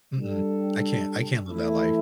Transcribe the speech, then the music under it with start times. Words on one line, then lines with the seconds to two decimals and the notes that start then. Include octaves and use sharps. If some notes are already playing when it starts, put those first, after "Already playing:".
Mm-mm, I can't I can't live that life.
0.16 G3 D4 A4
1.48 E3 A3 E4